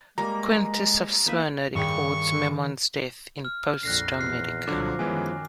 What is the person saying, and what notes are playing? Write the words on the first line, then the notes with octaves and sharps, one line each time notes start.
Quintus of Smyrna records Memnon's death in "Posthomerica".
G3 G#3 A#3 A#5
A#3 D#4 B4 E5
G2 D#3 G#4 G5 C#6
F6
A#1 F2 D3 F#6 A#6 C7
E2 F6 F#6 C7
C2 A#2 D3 F3 F#3 D6
F#2 D#3 E3 F#3 G#3 B3 G#5